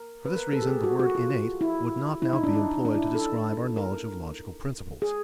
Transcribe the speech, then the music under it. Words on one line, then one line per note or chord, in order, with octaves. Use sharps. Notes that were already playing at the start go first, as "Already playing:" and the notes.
For this reason, the word 'innate' would not now be employed to describe our knowledge of logical principles.
Already playing: A#4
B4
A#4
A4
G4
G#4
F#4
F#4
F4
E4
E4
D#4
D4
D#4
D4
E4
A4
A#4
G#4